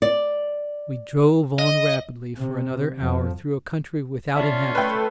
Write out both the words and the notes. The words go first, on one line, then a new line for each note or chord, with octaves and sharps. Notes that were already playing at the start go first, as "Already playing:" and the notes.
We drove on rapidly for another hour through a country without inhabitants.
D5
D#5
C3
F2 F3
C#4 F4 D5 E5 A5
A3 B4 G5